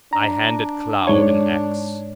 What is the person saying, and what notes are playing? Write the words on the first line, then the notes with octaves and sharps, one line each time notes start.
I handed Klow an ax.
D4 A#5
G#2 C#5